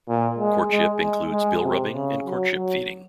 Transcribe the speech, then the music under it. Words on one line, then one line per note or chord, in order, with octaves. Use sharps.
Courtship includes bill rubbing and courtship feeding.
A#2
G#3
G#3
G#3
G#3
C3
C#3
F#3
F#3